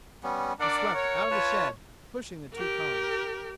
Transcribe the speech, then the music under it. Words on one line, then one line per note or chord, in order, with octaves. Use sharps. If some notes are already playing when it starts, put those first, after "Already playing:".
They swept out of the shed, pushing the two cars.
G3 B3 C#4
D4 A#4 D5 F#5
C#5
F4 B4 A5
G4 A#4